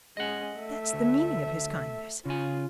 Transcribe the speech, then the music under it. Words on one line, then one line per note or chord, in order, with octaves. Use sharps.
That's the meaning of his kindness.
G#3 C#4 D#5 F#5
A3 E5
D2
C#3 F4 G#5